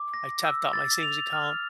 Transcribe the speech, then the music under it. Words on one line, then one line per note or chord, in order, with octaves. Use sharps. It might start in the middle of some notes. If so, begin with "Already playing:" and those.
I tapped out my savings account,
Already playing: D6
A#6
E6
A6
F7
F6